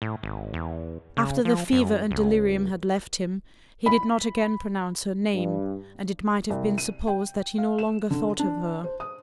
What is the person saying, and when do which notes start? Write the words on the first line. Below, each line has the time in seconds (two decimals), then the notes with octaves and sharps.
After the fever and delirium had left him, he did not again pronounce her name, and it might have been supposed that he no longer thought of her.
0.02 A2
0.23 G#1
0.54 E2
1.17 C#3
1.45 F3
1.72 F#2
2.11 C#2
3.86 B5
5.34 G2
6.50 C2
6.78 D#7
7.07 G5
7.58 F5
7.79 E7
8.10 D3
8.39 D4
8.84 C5
9.00 D#6